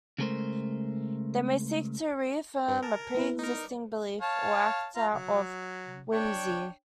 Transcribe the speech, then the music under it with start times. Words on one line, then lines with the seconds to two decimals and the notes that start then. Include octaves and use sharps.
They may seek to reaffirm a pre-existing belief, or act out of whimsy.
0.18 C#3 G#3 A3 G#4 A#4 C5
2.68 G2 B4
2.82 A#4 G#5 A5
3.15 B3 E4 B4
3.39 D#4 A#4
4.21 C#5 F5 A5
4.96 F4 A#5
5.11 F#3
6.12 D4 C#5 G5